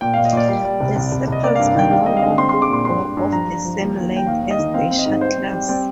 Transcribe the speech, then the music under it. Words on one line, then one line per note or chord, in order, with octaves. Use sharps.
The sepals are longer or of the same length as the shuttles.
A#2 G5
A#2 F5
D#5
A#2 D5
G3
G3
C2
C2
C2
C2 D#5
A#3 D5
F5
G2
F5
D#3 G5
G3 F5
C4 D#5
F5
D3 D#5
C4 C6
G#3 C6
D6
A#2 C6
G2 C6
G2
G2
F3 A#5
F3
F3
D#2
D#2
D#2
G5
D#2 F5
D#2
D#5
D#3
C4 F5
C4
D#5
G#2
G3 C5
C4
G3
C4 D5